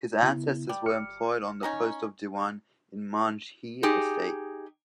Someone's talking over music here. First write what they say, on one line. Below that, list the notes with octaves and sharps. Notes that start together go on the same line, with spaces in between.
His ancestors were employed on the post of Diwan in Manjhi estate.
C#3 B3 E4
G3
G1 F6 C#7
C#4 D#4 A#5
D#4 G4 G#4